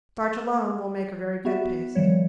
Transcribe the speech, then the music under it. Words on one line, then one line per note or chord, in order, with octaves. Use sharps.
Starch alone will make a very good paste.
B3 F#4 E5
D#3 F3 G3 C#5